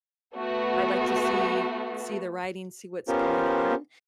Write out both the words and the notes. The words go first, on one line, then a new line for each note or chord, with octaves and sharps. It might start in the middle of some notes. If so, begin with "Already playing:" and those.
I like to see see the writing, see what's going on.
A3 B3 F#4
B3 C#4 F4 G4 A#4 C5